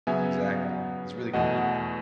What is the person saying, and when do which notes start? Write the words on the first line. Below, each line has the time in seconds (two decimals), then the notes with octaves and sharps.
Exactly. It's really convenient.
0.07 C#3 F#3 B3 E5 G#5
1.33 E2 B2 A3 D#5 F#5